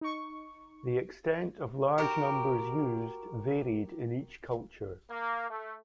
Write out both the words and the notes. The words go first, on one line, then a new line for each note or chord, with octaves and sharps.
The extent of large numbers used varied in each culture.
D#4 C#6
F#4 G4 A#4
A#3
A3